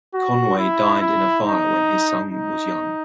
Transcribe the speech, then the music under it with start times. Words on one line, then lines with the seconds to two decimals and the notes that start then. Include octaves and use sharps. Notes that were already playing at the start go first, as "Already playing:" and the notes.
Conway died in a fire when his son was young.
0.14 F#4
0.58 E4
1.01 E4
1.45 D#4
2.32 D#4